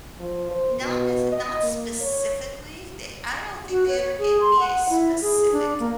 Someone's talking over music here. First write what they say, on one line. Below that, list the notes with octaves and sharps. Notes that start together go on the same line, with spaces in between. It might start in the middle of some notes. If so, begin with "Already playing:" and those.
Not nece not specifically. They I don't think they ever gave me a specific
F3
C5
B2
D#5
A#3
C#5
F#4
C#5
G#4
C6
F#5
E4
G#4
D4
A#3